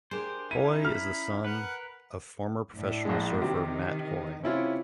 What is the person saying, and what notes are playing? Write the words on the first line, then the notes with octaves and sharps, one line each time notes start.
Hoy is the son of former professional surfer Matt Hoy.
D4 G4 G#4 A#4 C5
C#4 D#4 E4 D#7
B5 F6
A#4 B4 F#5
A2 D4
A#1 G#3
C3 D#3 G4
C3 C#4 E4 F4